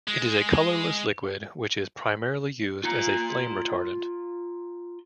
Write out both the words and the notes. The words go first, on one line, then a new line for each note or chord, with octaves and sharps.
It is a colourless liquid which is primarily used as a flame retardant.
G#3
F4 A#5